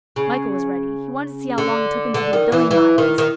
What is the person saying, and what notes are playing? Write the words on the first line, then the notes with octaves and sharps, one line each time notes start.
Michael was ready: he wanted to see how long it took him to do a billion miles.
C#3
D3
D3
D#3
E3
E3
D#3
D#3